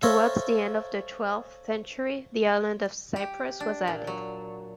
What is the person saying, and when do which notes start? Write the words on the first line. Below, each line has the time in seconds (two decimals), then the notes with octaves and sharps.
Towards the end of the twelfth century the island of Cyprus was added.
0.03 A4 C5 C#5 E5 F5 A#5
3.16 G4
3.60 D4
3.87 A#2
4.07 F#3